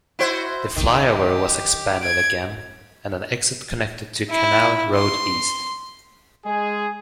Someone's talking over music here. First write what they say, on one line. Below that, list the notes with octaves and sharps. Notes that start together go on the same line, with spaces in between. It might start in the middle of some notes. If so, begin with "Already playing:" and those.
The flyover was expanded again and an exit connected to Canal Road East.
E4 F#4 C5
D#3 G4
G#6 D7
E4
C6
G#3 G#4